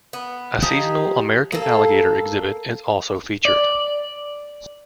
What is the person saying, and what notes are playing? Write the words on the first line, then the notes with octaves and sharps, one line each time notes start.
A seasonal, American Alligator Exhibit is also featured.
B3
F3 D#4 G4 G#5
A#3 A4
D5